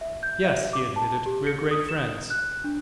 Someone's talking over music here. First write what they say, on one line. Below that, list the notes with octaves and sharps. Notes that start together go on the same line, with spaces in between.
"Yes," he admitted, "we're great friends."
E5
G6
E5
D6
A5
G4
C#7
D#6
E7
F#6
D4